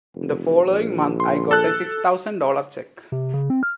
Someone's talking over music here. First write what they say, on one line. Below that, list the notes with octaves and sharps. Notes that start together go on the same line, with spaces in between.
The following month I got a six thousand dollar cheque...
F1
A#1
C6
A4 A5 F#6
C3
C#3
C4
F6